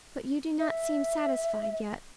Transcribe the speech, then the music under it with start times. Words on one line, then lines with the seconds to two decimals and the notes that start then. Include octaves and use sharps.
But you do not seem satisfied yet?
0.59 E5